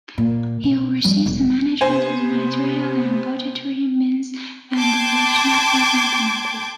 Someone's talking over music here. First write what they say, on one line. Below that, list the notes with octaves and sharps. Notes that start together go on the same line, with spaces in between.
He oversees the management of the material and budgetary means and the collection of fees and penalties.
A#2
B2
F3 G3
E1
C3 B3 C5 G#5
G5 A5 C6 D6 G6 G#6